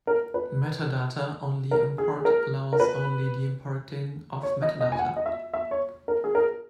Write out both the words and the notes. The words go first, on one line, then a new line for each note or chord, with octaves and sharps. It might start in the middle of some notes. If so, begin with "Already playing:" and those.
MetaData only import allows only the importing of MetaData.
A#4
B4
A#4
G#4
G#4
A#4
A#4
B4
C#5
D#5
D#5
G#5
F#5
D#5
E5
E5
C#5
A#4
G#4
A#4